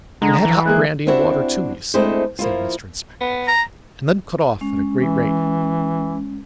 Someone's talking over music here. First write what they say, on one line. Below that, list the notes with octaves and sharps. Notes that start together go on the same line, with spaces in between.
'And had hot brandy and water too, you see,' said Mr Inspector, 'and then cut off at a great rate.'
D3 G#3 A#5
E3
G#3 A#3 G#4 F#6
C4 D4 E4 F#4 G4 E5
G#3 A3 C4 D4 E4 C5
F3 A#3 E4 F4
B3
A#5
G#3 C#4
E3